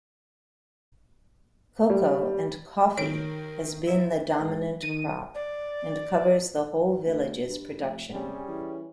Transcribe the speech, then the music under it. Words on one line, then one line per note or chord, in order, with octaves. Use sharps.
Cocoa and coffee has been the dominant crop and covers the whole village's production.
G3
D#3 A#4 C#5 D7
E4
G#2
D#3 D#7
D5
D2
G2
F1
C3 G3 C#4 G#4
E3